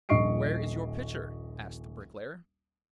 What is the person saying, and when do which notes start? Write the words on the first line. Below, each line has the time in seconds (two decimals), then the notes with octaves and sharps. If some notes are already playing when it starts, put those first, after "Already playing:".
'Where is your pitcher?' asked the bricklayer.
0.09 D#1 A#1 D#5 C#6 C7 D7